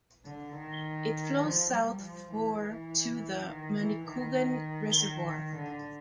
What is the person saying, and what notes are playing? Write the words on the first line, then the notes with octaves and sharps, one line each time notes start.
It flows south for to the Manicouagan Reservoir.
D3
D#3
F3
G3
F3
E3
E3
D#3
E3
D#3
D#3
D3